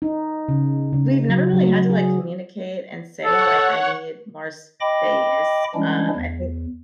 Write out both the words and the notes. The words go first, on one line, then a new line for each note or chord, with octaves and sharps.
we've never really had to, like, communicate and say, like, "I need more space," um, I think
D#4
C#3
C#3
F#3
F#3
G#4
A4 C#5 F#5
D#5 G5 B5 D6 A#6
E3 G3 G#3 C#4 D4 E4
E2